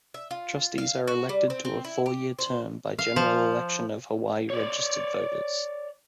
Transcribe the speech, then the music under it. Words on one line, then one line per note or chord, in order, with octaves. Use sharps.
Trustees are elected to a four-year term by general election of Hawaii registered voters.
E5
F4
F5
F#4
G3
C4
C4
E4
G4
C5
F5
F3
C#5 D5